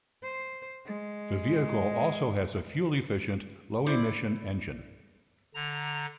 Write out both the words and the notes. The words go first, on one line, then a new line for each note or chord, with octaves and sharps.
The vehicle also has a fuel-efficient, low-emission engine.
C5
G#3
E4 C5 D5
D3 A#5